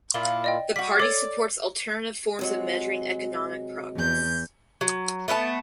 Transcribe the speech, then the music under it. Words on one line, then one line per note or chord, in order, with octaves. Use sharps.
The party supports alternative forms of measuring economic progress.
A#2 E4 F4 G7
D5 D#5 G5
G3 F#4 B6
A4 C#5 D5
C3 F#3 G#3
E2 G6
F#3
A3 B3 E5 A5